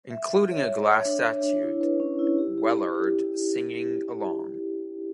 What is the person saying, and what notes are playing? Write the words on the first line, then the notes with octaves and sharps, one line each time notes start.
Including a glass statue "Wellard" singing along.
E5
E5
C#5
E5
C#5
D4
C#5
D4
E4
B4
C#4
E4
G4
G4
G4
G4